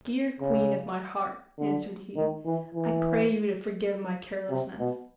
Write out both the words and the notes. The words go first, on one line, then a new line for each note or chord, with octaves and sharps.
'Dear queen of my heart,' answered he, 'I pray you to forgive my carelessness.
C#3
D3
D#3
E3
E3
C3
B2